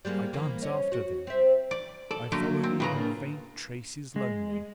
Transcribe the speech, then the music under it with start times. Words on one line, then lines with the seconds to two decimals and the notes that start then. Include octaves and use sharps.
I dance after thee, I follow even faint traces lonely.
0.05 G3 G#3 A#3
0.33 E3 A#3
0.63 C#4 C#5 D#5
0.92 F#4
1.27 C4 E5
1.71 D5
2.11 A4 D5
2.32 D3 F#3 A3 A#3 A#4
2.63 C4
2.80 A2 C#3 F4 B4 A#5
2.96 A#3 D4 A#4
4.16 G#3